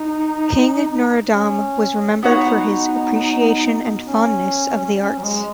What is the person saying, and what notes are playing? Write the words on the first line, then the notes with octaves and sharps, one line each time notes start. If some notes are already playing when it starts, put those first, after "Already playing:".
King Norodom was remembered for his appreciation and fondness of the arts.
Already playing: D#4
C#4
B3 D#4 F#4 C#5 F#5
C#4
C#4
F#3
G#3